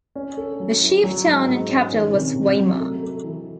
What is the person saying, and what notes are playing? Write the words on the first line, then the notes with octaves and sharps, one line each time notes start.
The chief town and capital was Weimar.
C#4
A4
F#3
E4
F#3
G#2
G#2
C#4
D#3
C3
C3
F#3
A3
A4
E3